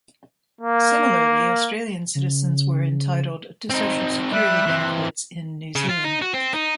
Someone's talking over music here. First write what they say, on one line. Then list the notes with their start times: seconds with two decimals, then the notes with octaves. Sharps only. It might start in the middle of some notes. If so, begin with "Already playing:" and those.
Similarly, Australian citizens were entitled to social security benefits in New Zealand.
0.61 A#3
2.15 C#3
3.70 C4 D#4
4.32 G3 E5 F#6
4.66 E3 C4
5.76 C#3
5.90 F4
6.05 D#4
6.22 F#4
6.34 C4
6.54 D#4